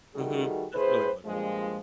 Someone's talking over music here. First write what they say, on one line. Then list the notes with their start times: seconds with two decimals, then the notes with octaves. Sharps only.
Mhm. That's really what it is.
0.15 D#3 G3 A3 F#4 G#4
0.74 A2 G#4 B4 C5
1.25 G2 A#2 F3 G#3